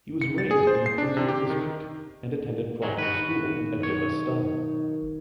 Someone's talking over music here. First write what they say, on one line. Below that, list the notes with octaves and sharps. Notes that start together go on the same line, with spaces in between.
He was raised in the Quinton district and attended Priory School in Edgbaston.
C#7
A6
G#4
C5
C7
D4
C3
G4
D#3
D#3 F#3 G#3
D#3 F#4 B4
B1 C#5